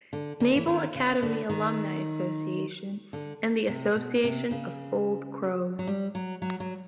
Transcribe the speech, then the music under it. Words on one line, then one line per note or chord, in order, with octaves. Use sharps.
Naval Academy Alumni Association and the Association of Old Crows.
D3
D3
E3
D#3
C#3
D3
D#3
D3
C3
B2
C3
C#3
F#3
G3
F#3
F#3
F#3